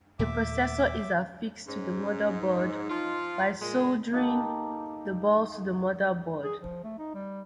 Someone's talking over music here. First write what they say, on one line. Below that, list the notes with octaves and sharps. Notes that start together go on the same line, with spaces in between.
The processor is affixed to the motherboard by soldering the balls to the motherboard.
D#2 A#2 A3 E5 D6
G#2 C#4
D#4
F3 F4
A#2 G#3
A#3 D#4 G4 A4
G#4
F3
A3
D#4
G3